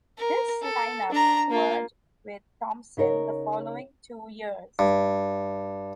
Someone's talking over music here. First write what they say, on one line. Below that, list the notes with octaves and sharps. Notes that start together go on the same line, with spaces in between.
This line-up toured with Thompson the following two years.
A#4
A4
D4 A#5
A#3 F4
C#3 D#4 A#4 C#5
G2